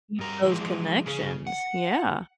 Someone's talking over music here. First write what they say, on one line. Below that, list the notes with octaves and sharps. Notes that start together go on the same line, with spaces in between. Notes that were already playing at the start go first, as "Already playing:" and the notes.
keep those connections. Yeah.
G2 A#4
E3 F3 G#3
C#3 C#4 G#4
F#5